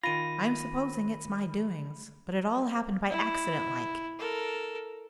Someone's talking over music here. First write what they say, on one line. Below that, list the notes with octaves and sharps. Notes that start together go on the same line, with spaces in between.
I'm supposing it's my doings, but it all happened by accident, like.
D#3 F4 B5 A#6 D#7
E4
A4 A#4